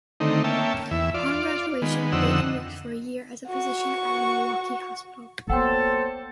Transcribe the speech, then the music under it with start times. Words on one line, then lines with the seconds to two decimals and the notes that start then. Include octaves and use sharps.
Upon graduation Bading worked for a year as a physician at a Milwaukee hospital.
0.20 D3 D#3 A3 C4 D#4
0.44 A#3 C#4 E5 G5 A5
0.91 E2 E5
1.14 F4 D5
1.82 D#3 G#3 B3
2.12 F2 D3 C4 D#4 F#5 E6
3.48 F#4 C#6
5.50 F#3 A#3 B3 A4 C5 F#5 G5 C6